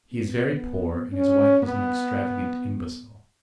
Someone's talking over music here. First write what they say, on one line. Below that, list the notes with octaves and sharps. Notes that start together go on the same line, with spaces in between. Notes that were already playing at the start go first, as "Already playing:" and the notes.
He is very poor and his wife is an extravagant imbecile.
B3
C#4
B3